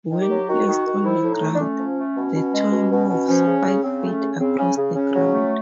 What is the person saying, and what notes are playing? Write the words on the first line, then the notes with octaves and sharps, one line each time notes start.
When placed on the ground, the toy moves five feet across the ground.
D#3
G4
F#3
D#3 F#4
D#3
D#3
F3 E4
A2
D#4
A3
D4
A3 C#4
F3
A3
B2
B2
G#3
B2
B2
B2
F3 C#4
C#3
C#3
C#3 C4
A3
C#4
C#3
C#3 C4
C#3 C#4
C#3
C#3 C#4
F#3
A3